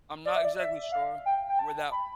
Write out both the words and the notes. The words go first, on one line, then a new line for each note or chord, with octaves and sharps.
I'm not exactly sure where that
D5
E5
D5
E5
F5
G5
G5
A5
B5